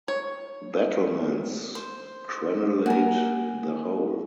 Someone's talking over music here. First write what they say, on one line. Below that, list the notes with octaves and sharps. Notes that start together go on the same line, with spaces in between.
Battlements crenellate the whole.
C#5
C5
A#3 F#4 A#4 G#5